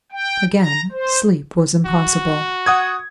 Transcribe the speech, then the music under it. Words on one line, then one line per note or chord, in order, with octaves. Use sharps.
Again sleep was impossible.
G5
A#5
C5
F#4
F#5 D#6 G#6